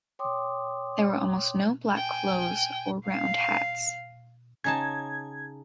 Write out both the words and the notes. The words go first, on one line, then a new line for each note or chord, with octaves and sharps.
There were almost no black clothes or round hats.
C#5 G5 C6 D6 D#6
G5 G#5
F5
C#3 D#4 A5 G#6